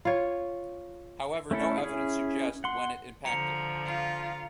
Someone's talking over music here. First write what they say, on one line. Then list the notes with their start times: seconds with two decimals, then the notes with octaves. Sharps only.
However no evidence suggests when it impacted.
0.05 F4 C#5
1.51 A3 C#4 E4 A4
1.78 C#4 E4 G#4
2.64 F#5 C6
3.25 D3 F3 A#5 C#7 F7
3.86 F4